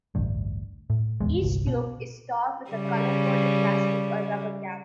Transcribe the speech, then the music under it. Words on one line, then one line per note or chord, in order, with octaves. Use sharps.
Each tube is topped with a color-coded plastic or rubber cap.
A1 D2 G2
A2
D1 E2 G#3
G1 C2
B2
C#3 G3